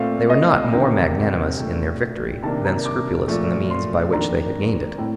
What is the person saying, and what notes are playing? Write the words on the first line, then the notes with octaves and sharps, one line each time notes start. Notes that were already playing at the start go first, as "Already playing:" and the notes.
They were not more magnanimous in their victory than scrupulous in the means by which they had gained it.
Already playing: A#2 A3 C4 F5
D#5
D2 C3 D#3 A#3 G5
A#2 A3 D4 G5
C3 D#3 A#3 D4 A5
A#5
D6
A#2 F3 A3
C6
F2 D#3 A#3 D4 A#5
A2 A3 C4